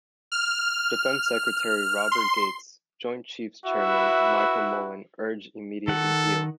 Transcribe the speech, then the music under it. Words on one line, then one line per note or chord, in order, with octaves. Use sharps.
Defense Secretary Robert Gates, Joint Chiefs Chairman Michael Mullen urged immediate repeal.
F6
C6
E4 F#4 B4 E5
D#3 A4 F#5